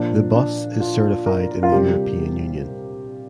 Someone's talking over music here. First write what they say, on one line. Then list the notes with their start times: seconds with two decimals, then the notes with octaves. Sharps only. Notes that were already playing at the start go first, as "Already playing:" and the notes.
The bus is certified in the European Union.
Already playing: A#2 F3 D4
0.35 D4
0.80 F4
1.26 A#4
1.63 F4
1.71 C3 G3 G4